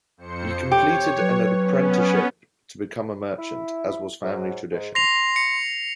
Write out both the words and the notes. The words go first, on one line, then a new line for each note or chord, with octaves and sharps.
He completed an apprenticeship to become a merchant, as was family tradition.
F2 C5 C#7
G4 C#5
F#3 B4
B3 C#4
E4
G#2 F#3
G#2
C6 A#6 C7 F7
C#7